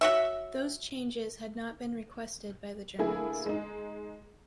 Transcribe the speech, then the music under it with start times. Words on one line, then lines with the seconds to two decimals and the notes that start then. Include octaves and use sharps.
Those changes had not been requested by the Germans.
0.01 F#4 C#5 E5
2.98 D3 A3 A#3 E4 G#4
3.46 G#3 D#4